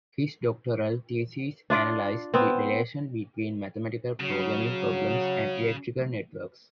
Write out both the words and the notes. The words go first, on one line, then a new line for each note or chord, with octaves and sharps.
His doctoral thesis analyzed the relation between mathematical programming problems and electrical networks.
D4 F4 D5
B3 C4
C#3 F#3